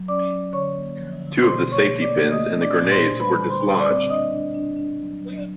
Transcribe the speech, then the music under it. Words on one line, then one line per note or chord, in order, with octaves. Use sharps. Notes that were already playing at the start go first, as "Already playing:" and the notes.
Two of the safety pins in the grenades were dislodged.
Already playing: F#3
C#4 D5 D6
F#3
D3 C#5 C#6
A#3
F3
D3
B2 C5 C6
A#3
C#5 C#6
A#3
D5 D6
A#3
A3 D#5 D#6
D4
D5 D6
A#2
C5 C6
D4
G3 B4 B5
D3
C5 C6
G3
D5 D6
C4
D4 D#5 D#6
D4
D4
D4
F#3
F#3